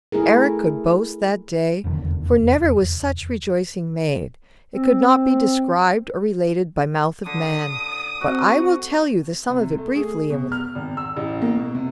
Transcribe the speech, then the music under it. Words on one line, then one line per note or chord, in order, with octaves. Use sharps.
Erec could boast that day, for never was such rejoicing made; it could not be described or related by mouth of man, but I will tell you the sum of it briefly and with few words.
A3 E4 G#4 A#4
F1 E2 D3 D#3
C4
D3 D#6
C4 F#4
C3
A3
G#4
B2
F6
G#1
E6
A1
A#3
B2
C3